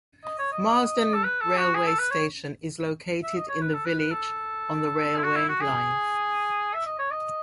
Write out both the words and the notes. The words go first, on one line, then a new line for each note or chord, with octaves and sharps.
Marsden railway station is located in the village on the railway line.
D#5
C#5
D#5
A4
B4
A4
F#4
G#4
A4
B4
C#5
E5
D#5
C#5
B4
A4
B4
B4
A4
E4
F#4
E4
F#4
G#4
E5
D#5
C#5
D#5